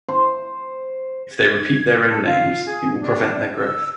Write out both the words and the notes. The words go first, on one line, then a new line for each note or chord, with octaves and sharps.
If they repeat their own names it will prevent their growth.
C5
G#6
A4
F4
G#4
D4
E6